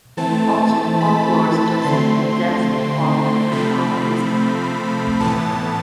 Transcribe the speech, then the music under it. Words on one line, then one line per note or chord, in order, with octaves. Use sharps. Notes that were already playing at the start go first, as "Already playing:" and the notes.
Also, folklore suggested that death would follow if the flower was ever picked.
E3 A3 C4 A5
B5
D3 A3 C4 C6
C3 F3 A3 C4 B5
A2 E3 B3 A5